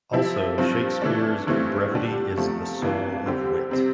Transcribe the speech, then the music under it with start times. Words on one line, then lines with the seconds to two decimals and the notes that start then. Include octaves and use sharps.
Also Shakespeare's "Brevity is the soul of wit".
0.13 C3 F3 C4 E4
0.58 G2 F3 C4
1.02 E3 A3 D4
1.47 G2 E3 A3 C4
1.91 D3 G3 D4 G4
2.37 E2 C3 F3 A3
2.82 F2 E3 A#3 D4 F4
3.26 D3 G3 C4 G4
3.71 C3 G3 C4